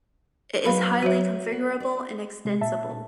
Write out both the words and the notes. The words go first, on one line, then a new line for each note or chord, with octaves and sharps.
It is highly configurable and extensible.
F#3 D#4 B4 C5 F5 B5
F#3 F#4 C#5 E5
B3
D5
C3 G#3
A#2 E5 A5